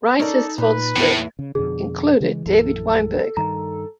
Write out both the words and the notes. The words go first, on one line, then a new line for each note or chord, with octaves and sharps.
Writers for the strip included David Weinberger.
C#4 D#4 A4 A#4 D5
A#2 B4
E2 A2 B3 E4
C#3
F2 B2 D3 G#4
C#3 E3 G#3
A#1 F#2 E3 A4
G2 D#3 A#5